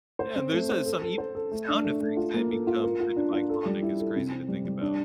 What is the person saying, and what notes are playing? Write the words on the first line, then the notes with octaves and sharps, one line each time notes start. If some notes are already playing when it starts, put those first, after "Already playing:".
Yeah and there's, uh, some e sound effects that become kind of iconic, it's crazy to think about.
C5
C4
A3
C5
A4
A4
C5
A4
A3
D4
A3
A3
F4
A#3
A4
F4
A#4
F4
D4
F4
A4
G3
E4
A4
C3
C4
G3
G3
D4